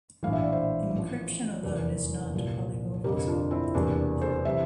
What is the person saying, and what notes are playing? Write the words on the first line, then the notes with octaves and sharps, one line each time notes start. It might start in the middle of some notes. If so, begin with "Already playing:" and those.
Encryption alone is not polymorphism.
A#1 A2 E3 F5
E5
D5
C5 E5
A1 A2 F3
F1 E2 E3 A#4 D5
C2 A#2 F3
G1 F2 C3 G4 A#4
D4 F4
C4 E4
E1 E2 C3 A#3 D4
A4 C5
C3 E3 C5 E5